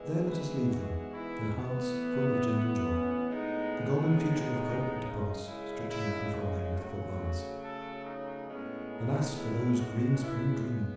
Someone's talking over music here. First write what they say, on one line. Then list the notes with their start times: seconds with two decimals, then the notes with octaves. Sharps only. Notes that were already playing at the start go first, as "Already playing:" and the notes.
There let us leave them, their hearts full of gentle joy, the golden future of hope and promise stretching out before their youthful eyes. Alas for those green spring dreaming!
Already playing: G#2 E3 G#3 B3
0.27 B4
0.71 F#4
1.13 E4
1.57 A2 E3 B3
2.43 E4
2.87 C#4
3.30 A2 G#3 B3 D#4
3.74 D#4
4.16 D#4
5.04 F#2 C#3 G#3
5.47 E4
5.90 E4
6.33 F#4
6.76 C#3 F#3 A3 F#4
7.63 A4
8.05 D#4
8.49 A2 G#3 B3 C#4
8.92 D#4
9.36 E4
9.79 F#4
10.22 C#3 G#3 B3 E4